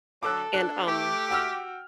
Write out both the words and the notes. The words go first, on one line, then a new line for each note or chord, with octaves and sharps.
and, um
D3 F#3 A4 D6 E6 F#6
D4 F#6
A3 G4 D6
F#4 G5 E6 F6